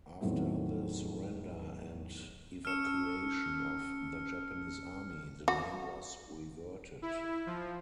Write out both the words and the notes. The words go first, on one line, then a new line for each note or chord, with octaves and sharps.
After the surrender and evacuation of the Japanese army, the name was reverted.
E2 A2 D#3 F#3 A3 C4
C#4 A5 E6 F6 C#7
F#4
E4
F3